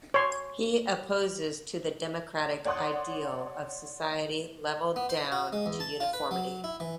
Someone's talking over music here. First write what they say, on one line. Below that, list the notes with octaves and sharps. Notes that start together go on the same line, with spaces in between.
He opposes to the democratic ideal of society levelled down to uniformity.
C#5 C6
C#5 D5 F#5 C6 D#6 F#6
B3
C5
F#4
G#3
E2
A5
F4
B4
F#3
E4
E3